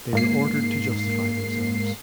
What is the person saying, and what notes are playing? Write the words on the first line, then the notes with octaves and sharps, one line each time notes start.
They were ordered to justify themselves.
G#2 A#3 C7